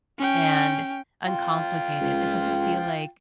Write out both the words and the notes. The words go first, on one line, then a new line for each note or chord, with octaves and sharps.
and uncomplicated. It doesn't feel like
C#4 G5
F4 G5
C#2